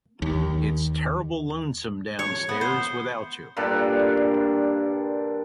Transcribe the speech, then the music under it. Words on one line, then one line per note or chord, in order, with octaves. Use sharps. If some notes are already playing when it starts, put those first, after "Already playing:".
It’s terrible lonesome downstairs without you.
D#2
C#5
B3
C5
G2 A#2 D4 A4